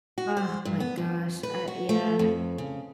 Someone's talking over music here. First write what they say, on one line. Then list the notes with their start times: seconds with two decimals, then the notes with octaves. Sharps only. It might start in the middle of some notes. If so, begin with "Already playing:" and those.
Ugh, my gosh, uh, yeah.
0.18 F#4
0.37 C5
0.65 G2
0.80 B3
0.97 F2
1.43 B4
1.68 F#4
1.89 A3
2.19 F2
2.58 C#3